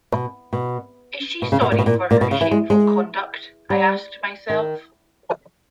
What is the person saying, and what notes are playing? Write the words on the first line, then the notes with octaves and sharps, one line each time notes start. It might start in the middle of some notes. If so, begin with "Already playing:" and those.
Is she sorry for her shameful conduct? — I asked myself.
B2
B2
B2
C#3
B2
A#2
B2
A#2
A#2
B2
C#3
E3
G#3
G#3
G3
D#3